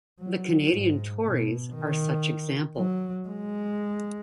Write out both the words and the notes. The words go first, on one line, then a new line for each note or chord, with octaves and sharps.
The Canadian Tories are such example.
F#3
G#2
B2
D#3
F#3
G#3